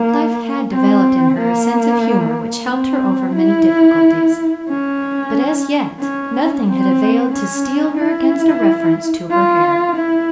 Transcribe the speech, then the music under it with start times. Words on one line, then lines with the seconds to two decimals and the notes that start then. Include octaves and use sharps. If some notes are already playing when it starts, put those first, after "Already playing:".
Life had developed in her a sense of humor which helped her over many difficulties; but as yet nothing had availed to steel her against a reference to her hair.
Already playing: A#3
0.72 C4
1.38 A#3
2.71 C4
3.36 E4
4.69 C#4
5.99 C#4
6.65 C4
7.31 C#4
7.97 E4
9.30 F4
9.96 E4